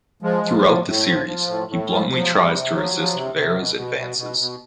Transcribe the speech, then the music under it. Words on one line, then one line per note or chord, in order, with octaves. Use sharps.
Throughout the series, he bluntly tries to resist Vera's advances.
F3 G#3
F3
A2
A2
F3
F3
A2
A2
F3
F3
F#3
C3
G3
C3
F3 F#3
F3
C3
C3
B2
B2
B2
B2
B2